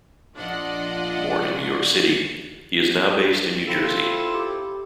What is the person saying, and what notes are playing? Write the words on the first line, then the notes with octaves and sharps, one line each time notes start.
Born in New York City, he is now based in New Jersey.
A#1 D4 F4 D5 D#5 F#5
C4 E4 F4 A4
G4